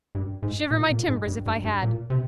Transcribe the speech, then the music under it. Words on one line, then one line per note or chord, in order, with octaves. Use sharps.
Shiver my timbers if I had.
G2
G#2
A#2
A#2
G#2
G2
G2
G2
A#2
C3